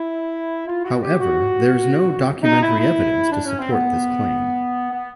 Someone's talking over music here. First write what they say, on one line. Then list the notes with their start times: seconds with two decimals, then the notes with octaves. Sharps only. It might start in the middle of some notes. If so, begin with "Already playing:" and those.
However, there is no documentary evidence to support this claim.
Already playing: E4
0.67 F4
0.84 F#4
1.01 G4
1.20 F#4
2.43 D#4
2.61 E4
2.79 E4
3.31 D4
3.45 C#4
3.58 C4
3.71 B3
4.91 B3